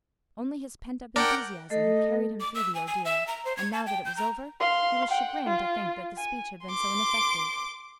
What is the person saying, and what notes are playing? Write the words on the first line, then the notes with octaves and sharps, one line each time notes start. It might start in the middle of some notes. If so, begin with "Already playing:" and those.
Only his pent-up enthusiasm had carried him through the ordeal, and now that it was over he was chagrined to think that the speech had been so ineffective.
D4 A#4 F#5 G5
A3 A4 D#5
D6
E6
G#5
G#5
E5
A#5
C5
G#6
A5
G5
G6
A#5
F5 C6
F#5 G5
F4
G#5
C6 D6